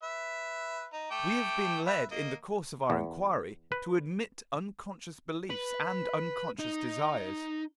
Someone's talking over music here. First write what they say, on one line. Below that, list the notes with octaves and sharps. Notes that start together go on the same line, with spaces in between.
We have been led, in the course of our inquiry, to admit unconscious beliefs and unconscious desires.
B4 E5
D#4
A3 G5 D6
B4 E5
A#3 D#5
E2
B4
B4
D#4